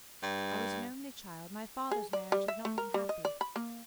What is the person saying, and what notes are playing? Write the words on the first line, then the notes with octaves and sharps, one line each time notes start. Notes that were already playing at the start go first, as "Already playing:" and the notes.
I was an only child. My father's marriage had not been happy.
G2
G#4
D5
G3
E5
A3
A#4
G3
D#5
D5
B5
A#3